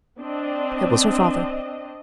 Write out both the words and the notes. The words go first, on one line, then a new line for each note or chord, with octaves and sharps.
It was her father.
C4 D4 D#5